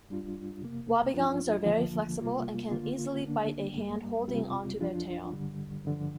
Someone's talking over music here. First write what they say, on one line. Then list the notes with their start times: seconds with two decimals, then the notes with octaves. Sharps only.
Wobbegongs are very flexible and can easily bite a hand holding onto their tail.
0.09 G2 G3 D4 F4
0.61 F2 C3 A#3
1.14 G2 F3 D4 F4
1.66 F2 D3 F3 A#3
2.19 C3 G3 A#3 F4
2.71 D3 A#3 F4
3.23 D3 A#3 D4
3.76 G2 G3 A#3
4.28 F2 C3 G3 C4 F4
4.80 F2 F3 D4 F4
5.32 G2 D3 G3
5.85 G2 D3 F3